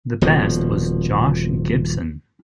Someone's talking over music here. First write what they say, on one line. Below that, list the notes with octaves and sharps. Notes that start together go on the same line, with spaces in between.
The best was Josh Gibson.
D#1 B2 F3